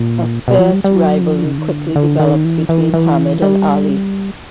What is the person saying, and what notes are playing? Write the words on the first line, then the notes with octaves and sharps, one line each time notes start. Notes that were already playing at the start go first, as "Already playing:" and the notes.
A fierce rivalry quickly developed between Hamid and Ali.
Already playing: A#2
B2
F3
G3
G3
F#3
F3
C#3
D#3
D3
D3
D#3
E3
E3
E3
G3